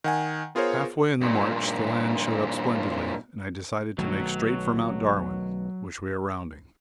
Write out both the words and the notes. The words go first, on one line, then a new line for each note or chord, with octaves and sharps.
Half way in the march the land showed up splendidly, and I decided to make straight for Mt. Darwin, which we are rounding.
D#3 F#5 G#5
B3 F4 G#4 A#4 C5 C#5
G2 A#2
B1 D#3 F#3 A3